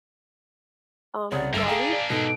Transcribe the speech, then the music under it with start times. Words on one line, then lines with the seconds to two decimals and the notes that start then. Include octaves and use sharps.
um, now we t
1.32 C2 C#3 C#5 D5 F#5 D#6
1.54 G1 G3 A#3 D4 E5 E6
1.68 G#4 F5 G5 G#5 A#5
1.93 D5
2.10 G#2 B2 D#4 A4